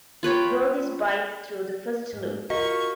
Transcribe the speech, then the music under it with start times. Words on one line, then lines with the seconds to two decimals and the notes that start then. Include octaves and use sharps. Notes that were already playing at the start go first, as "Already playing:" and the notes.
Draw this bight through the first loop.
0.23 F4 B4 C#5 G5
2.13 G#2
2.50 F4 F#4 A#4 D#5 C#6